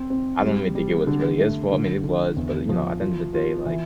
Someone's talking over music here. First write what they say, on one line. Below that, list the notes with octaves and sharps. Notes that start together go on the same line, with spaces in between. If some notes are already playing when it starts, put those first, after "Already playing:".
I don't really think it was really his fault. I mean, it was. But, you know, at the end of the day, like,
Already playing: C4
C4
G3
G3
D3
A3
D3
D3
E2
F3
F4
F4
E3